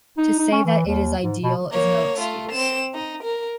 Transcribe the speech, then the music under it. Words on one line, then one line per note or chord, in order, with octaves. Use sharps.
To say that it is ideal is no excuse.
D#4
D#4
C#4
E3
D#2
G#2
B2
A#3 C#5
A3 F4
C4 E7
D#4
A#4